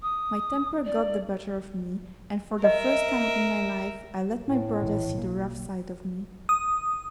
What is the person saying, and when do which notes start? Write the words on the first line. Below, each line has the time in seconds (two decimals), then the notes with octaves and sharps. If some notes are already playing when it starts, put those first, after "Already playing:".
My temper got the better of me, and for the first time in my life I let my brother see the rough side of me.
0.02 D#6
0.85 D5
2.64 A#4 D#5 E5
4.45 A2
4.82 A#1 E3
5.14 B1 A#3
6.49 D#6